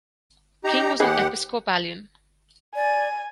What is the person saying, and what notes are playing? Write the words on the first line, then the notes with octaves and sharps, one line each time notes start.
King was an Episcopalian.
D#4 G4 A#5
D#2 D#4 G4 G#4 B4 F#5
D5 G#5